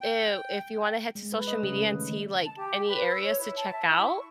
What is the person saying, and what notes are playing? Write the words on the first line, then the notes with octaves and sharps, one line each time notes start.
i if you wanna head to social media, and see, like, any areas to check out,
G5
G#3
B4
D#5
C#3
A3
D#3
A5
G4
B4
E6
C#5
E4
A5
E5
E4
C#6